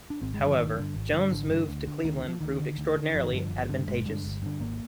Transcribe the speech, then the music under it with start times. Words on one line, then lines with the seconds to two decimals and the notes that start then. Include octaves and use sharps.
However, Jones's move to Cleveland proved extraordinarily advantageous.
0.10 D4
0.22 G#1 C4
0.34 G#3
0.40 G2 D3
0.46 F3
0.58 G#1 D#3
0.77 G2 D3
0.95 G#1
1.13 G2 D3
1.31 G#1 D3
1.50 G2 D3
1.69 D2
1.87 D3
2.04 D2 D#3
2.17 D#3
2.24 D3
2.28 F3
2.41 D2 D#3
2.60 D3
2.78 D2
2.96 D3
3.14 G1 F3
3.23 D#3
3.33 G2 D3 F3
3.51 G1
3.69 G2 D3
3.88 G1 G#3
4.06 G2 D3
4.24 G1
4.42 G2 D3
4.60 G#1 A#3